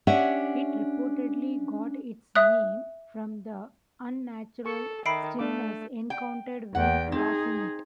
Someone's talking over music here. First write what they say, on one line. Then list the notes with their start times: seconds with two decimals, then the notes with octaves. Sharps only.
It reportedly got its name from the unnatural stillness encountered when crossing it.
0.07 C#4 D4 G4 C#5 E5 F#5
2.35 E5 D#6 F#6
4.66 A4 C#6
5.06 D#3 E5 B5 C7 D7
5.39 A3 D4 F5 D6
6.10 G5
6.75 E2 F#5 G5
7.12 C4 D#4 G#4